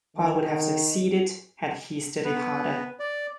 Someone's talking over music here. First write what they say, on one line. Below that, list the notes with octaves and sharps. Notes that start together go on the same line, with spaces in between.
Paul would have succeeded had he studied harder.
D#3
B3 B4
D5